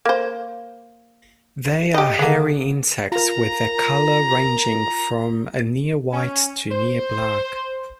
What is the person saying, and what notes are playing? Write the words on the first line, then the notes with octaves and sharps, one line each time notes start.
They are hairy insects with their colour ranging from a near-white to near-black.
A#3 C5
G4 D#5
D3 G#3 A#3
F4 A#4 A#5
C#4
C5